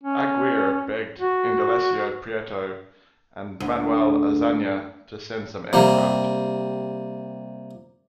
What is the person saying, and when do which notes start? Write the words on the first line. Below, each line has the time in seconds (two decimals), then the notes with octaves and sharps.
Aguirre begged Indalecio Prieto and Manuel Azaña to send some aircraft.
0.03 C#4
1.20 F#4
3.60 D2
5.73 C3 G3 A#3